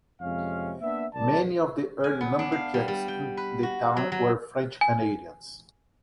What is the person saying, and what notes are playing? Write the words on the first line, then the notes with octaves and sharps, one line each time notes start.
Many of the early lumberjacks in the town were French Canadians.
F2 C3 G#3 C#4 F5
A#3 B3 D4 E5
C2 A#4 D5 A5
G#5
B3
D4
F5
G3
G3
G5
B4
F#4
F#3
F#3
G#5